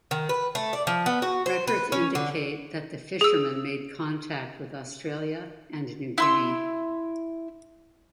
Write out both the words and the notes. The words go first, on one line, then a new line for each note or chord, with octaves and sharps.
Records indicate that the fisherman made contact with Australia and New Guinea.
D#3
B4
A3
D5
F3
B3
F#4
C5
B4
C#4
D3
G#4 E6
E4 C6 E6